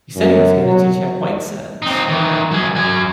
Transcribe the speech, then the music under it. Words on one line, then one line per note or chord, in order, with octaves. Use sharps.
He he said was going to teach at White Sands.
F#2
F#3
C4 D#4
D#3 E3
F#3 G#4
F#3 G#5